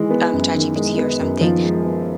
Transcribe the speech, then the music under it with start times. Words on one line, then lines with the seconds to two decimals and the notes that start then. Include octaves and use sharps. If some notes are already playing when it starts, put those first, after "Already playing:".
um, ChatGPT or something,
Already playing: D#3 E3 G#3
0.10 B3
0.33 F#2
0.54 D#3
0.76 G#3
0.98 B3
1.19 F#2
1.41 D#3 F3
1.63 G#3
1.85 B3